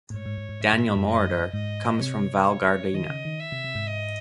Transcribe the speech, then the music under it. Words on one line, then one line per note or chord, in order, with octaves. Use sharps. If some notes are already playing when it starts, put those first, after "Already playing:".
Daniel Moroder comes from Val Gardena.
A2
G#2 C#5
G#2
G#2
G#2
G#2 E5
G#2
A2
F#2
D#5
G#2 D#5
C3 C#5
C#5
D#3 D#5
C#3
D#3
E5
C3
C3
G#2
D#5